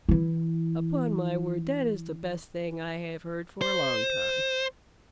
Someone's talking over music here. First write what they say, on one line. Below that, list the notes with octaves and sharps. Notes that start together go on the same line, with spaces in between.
Upon my word that is the best thing I have heard for a long time.
E3 E4
C5